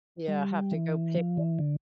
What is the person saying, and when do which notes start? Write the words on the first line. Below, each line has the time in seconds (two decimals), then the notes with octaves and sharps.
Yeah, have to go pick it.
0.28 G3
0.72 E3
1.15 F3
1.37 E3
1.59 D3